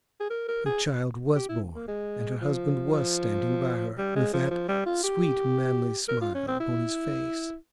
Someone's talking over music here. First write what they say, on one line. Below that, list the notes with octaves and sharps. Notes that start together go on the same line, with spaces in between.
Her child was born, and her husband was standing by her with that sweet manly smile upon his face.
G#4
A#4
A#4
G#4
G4
E4
A#3
G#3
F3
F3
G3
G#3
F3
F3
G3
F4
G4
A#4
F4
C#4
C4
E4